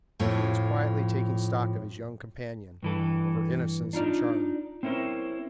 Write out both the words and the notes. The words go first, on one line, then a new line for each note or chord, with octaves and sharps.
He was quietly taking stock of his young companion,--of her innocence and charm.
F2 A2 F3 A3
G2 E3 A4
D4 D#4 F4 D5
C4 C#4 E4 A#4 C5